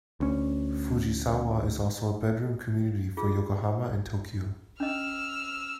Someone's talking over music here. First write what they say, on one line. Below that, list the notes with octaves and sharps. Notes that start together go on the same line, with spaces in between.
Fujisawa is also a bedroom community for Yokohama and Tokyo.
D2 C#4
F4 G#4
C#4 D#5 E6 F6